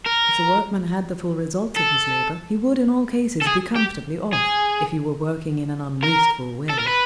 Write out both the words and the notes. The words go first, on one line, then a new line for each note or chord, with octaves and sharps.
If the workman had the full results of his labour he would in all cases be comfortably off, if he were working in an unwasteful way.
A#4
A4
A4
G#4
G4
G#4
A#4
A4
A#4
B4